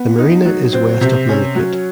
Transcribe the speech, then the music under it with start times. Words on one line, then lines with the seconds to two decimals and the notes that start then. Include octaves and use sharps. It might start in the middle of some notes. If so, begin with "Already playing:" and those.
The marina is west of Lilliput.
Already playing: B3
0.18 D#4
0.45 F#3
0.73 C4
1.01 C3
1.29 C#4
1.55 F#3